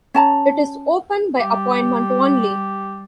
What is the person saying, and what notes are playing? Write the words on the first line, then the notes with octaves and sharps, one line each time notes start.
It is open by appointment only.
C#4 A5 A#5
G3 G4